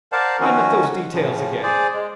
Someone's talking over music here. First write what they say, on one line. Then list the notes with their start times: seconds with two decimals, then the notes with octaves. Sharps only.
I'm at those details again.
0.12 A#4 C5 D5 F5 F#5 A5
0.40 D#3 F3 C#4 F#4
1.13 A2 C#3 F3
1.63 G#4 C5 D5
1.94 G#3